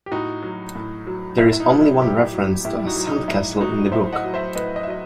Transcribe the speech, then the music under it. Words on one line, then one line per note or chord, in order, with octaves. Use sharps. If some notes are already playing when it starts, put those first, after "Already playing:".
There is only one reference to a 'sandcastle' in the book.
G4
A2 D#4 F#4
F#3
A2
F#3
A2 E4
E4
D#4
F#3
E4
A2 E4 G4
F#3
A2 E4 G4
D#4 F#4
F#3
D#4
A2 E4
F#3 D#4 F#4
A2 C5 E5
D#5 F#5
F#3
C5 E5
A2 B4 D#5
D#5
E5
F#3 D#5